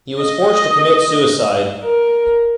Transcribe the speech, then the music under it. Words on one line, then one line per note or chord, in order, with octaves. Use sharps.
He was forced to commit suicide.
D#5
A#4